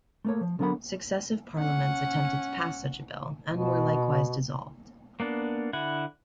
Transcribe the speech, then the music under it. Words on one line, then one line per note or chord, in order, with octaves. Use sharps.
Successive Parliaments attempted to pass such a bill, and were likewise dissolved.
A3 A#3 C#5
F3
D3 F#3 B3 A#4 F#5 B5
C#4 F#5
B2
A#3 B3 D4
D3 E4 F#5